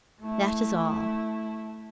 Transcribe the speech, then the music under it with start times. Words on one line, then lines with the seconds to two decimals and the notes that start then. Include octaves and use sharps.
That is all.
0.20 A3 E4